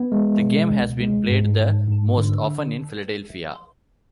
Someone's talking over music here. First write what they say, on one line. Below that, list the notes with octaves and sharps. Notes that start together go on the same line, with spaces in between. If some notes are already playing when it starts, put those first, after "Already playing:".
The game has been played the most often in Philadelphia.
Already playing: B3
G#3
B2
C#2
G#3
G#2
G#2
G#2
D3